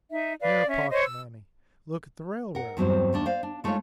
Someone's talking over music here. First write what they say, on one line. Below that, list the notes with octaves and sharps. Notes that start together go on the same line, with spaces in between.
Mere pocket money! Look at the railroad!
D#4 E5
B4 D5 F5
C#4 E5
C5 C#5 D#5
E6
A#4 F#5
E2 G2 F#3 C4 C5
D#2 A3 D4
C5 D5 F5
D4
G#3 A3 D#4 F4 C#5 F5